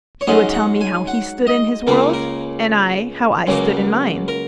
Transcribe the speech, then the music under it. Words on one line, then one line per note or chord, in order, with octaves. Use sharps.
He would tell me how he stood in his world, and I how I stood in mine.
C#5
G#2 F#3 C#4 D#5
F#5
G#5
F#5
D#5
C#2 C#3 A#3 A#4
A#4
C#2 C#3 F#3 A#3
A#4